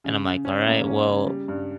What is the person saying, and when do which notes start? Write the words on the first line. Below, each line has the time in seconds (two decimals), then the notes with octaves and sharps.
And I'm like, "Alright, well"
0.04 C#3
0.26 C#3
0.45 C#4
0.66 A#3
0.87 C#4
1.07 C#3
1.27 G3
1.48 G2